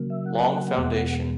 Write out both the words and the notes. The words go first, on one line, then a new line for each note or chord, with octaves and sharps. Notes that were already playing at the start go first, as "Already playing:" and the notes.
Long Foundation.
Already playing: C#3 F#3 A#3
E5
F#5
E2 B2 G#3 B3